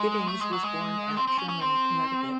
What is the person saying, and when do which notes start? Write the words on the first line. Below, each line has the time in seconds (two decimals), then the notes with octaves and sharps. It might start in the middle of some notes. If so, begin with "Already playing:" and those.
Giddings was born at Sherman, Connecticut.
Already playing: G#3
0.28 A3
0.41 G#3
0.53 F#3
0.64 G#3
1.17 C4
1.27 C4
1.38 C#4
1.49 C#4
1.61 C4